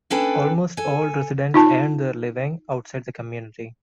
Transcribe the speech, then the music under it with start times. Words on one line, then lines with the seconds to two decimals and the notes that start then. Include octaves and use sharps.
Almost all residents earn their living outside the community.
0.10 A#3 C#4 D4 A4 B4 G5
0.77 A4 G#5
1.54 D#4 F4 A5